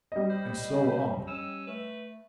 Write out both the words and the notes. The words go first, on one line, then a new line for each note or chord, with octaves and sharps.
And so on.
G3 D#5
C5 B5
C#4 E6
A3 B4